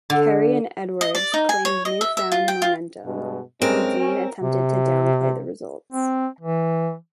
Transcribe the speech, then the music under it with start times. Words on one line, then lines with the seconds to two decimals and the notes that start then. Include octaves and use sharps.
Kerry and Edwards claimed newfound momentum, while Dean attempted to down-play the results.
0.10 D3
1.01 D#5
1.15 D5
1.34 D#4
1.49 G#5
1.65 C#5
1.85 D#5
2.01 E5
2.17 E5
2.32 F4
2.48 G5
2.62 F4
3.05 G2 B2 G#3
3.62 G2 G#3 C4 C#4 A#4
4.00 C#4
4.43 C3
5.92 C4
6.40 E3